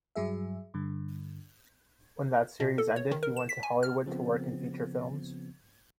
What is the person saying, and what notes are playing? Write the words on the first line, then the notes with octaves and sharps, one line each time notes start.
When that series ended, he went to Hollywood to work in feature films.
G2 F#3 G#4 E5
G2 D3
B2
A4
C#5
D#3
A#4
E7
B6
G#5
F6
C#3 F3 B3 C4